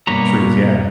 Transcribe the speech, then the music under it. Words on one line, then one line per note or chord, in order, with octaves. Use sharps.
trees, yeah.
G2 B2 A#3 B4 C#5 A#5